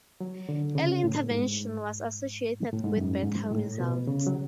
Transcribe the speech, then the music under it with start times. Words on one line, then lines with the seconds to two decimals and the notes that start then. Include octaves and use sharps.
Early intervention was associated with better results.
0.21 F#3
0.49 D3
0.75 C#3
1.04 A2
1.31 G#2
2.73 A2
2.84 G#2
2.97 F#2
3.24 G#2
3.51 A2
3.80 B2
4.07 C#3
4.27 F#3